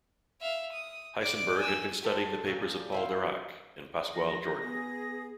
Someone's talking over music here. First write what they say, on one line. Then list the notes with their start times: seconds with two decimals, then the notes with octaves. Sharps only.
Heisenberg had been studying the papers of Paul Dirac and Pascual Jordan.
0.41 E5 F5
0.72 D#6
1.22 D5 D6
1.58 G#5 E6
2.03 G4 A4 C5
2.46 A#2 F#3 G3 C#4
2.92 E4 C5 F5
4.12 F3 A#6
4.61 B3 G#4